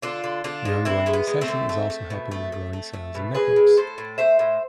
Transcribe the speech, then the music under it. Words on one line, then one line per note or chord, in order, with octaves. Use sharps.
The ongoing recession is also helping with the growing sales of netbooks.
D3 D4 F4
D3
D3 D4 F4
G#3
D3 C4 E4
G#3 A3
B3
G#3
A3 C4
D3
A3
A3
B2
A3
A3
A3
A3
B2
A2 G#4 B4
A2
A2 A4 C5
A2
A3 C5 E5
A2